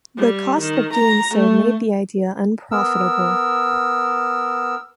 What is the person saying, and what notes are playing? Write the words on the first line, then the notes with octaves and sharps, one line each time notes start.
The cost of doing so made the idea unprofitable.
G3
D#3
A#5
A3
B3 A#4 E6